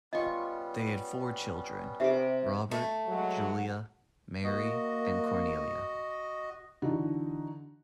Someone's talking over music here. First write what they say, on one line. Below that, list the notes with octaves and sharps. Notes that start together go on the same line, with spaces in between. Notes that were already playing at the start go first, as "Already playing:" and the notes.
They had four children: Robert, Julia, Mary and Cornelia.
G3 B3 C#4 F4 D#5 C#6
C3 G4 E5 D6
A3
F#3 G#3 F#5
A#3 F#4 D#5
D3 E3 D#4 F#4